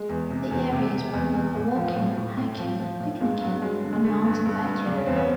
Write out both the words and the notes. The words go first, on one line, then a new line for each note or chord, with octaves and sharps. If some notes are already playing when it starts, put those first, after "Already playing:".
The area is popular for walking, hiking, picnicking, and mountain biking.
Already playing: G#3
E2
C3
E2
C3
C3
E2
E2
A2
F3
A2
A2
A2
F3
F3
A2
G2 G#3 A#3
G2
F#3 G#3
D3
G#3
D3 A3
G2
G2
G2
C#3 D4
C#4
E2 C4
B3 C#4